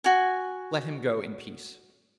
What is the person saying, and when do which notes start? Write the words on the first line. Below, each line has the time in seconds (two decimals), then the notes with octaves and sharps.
Let him go in peace.'
0.04 F#4 G#5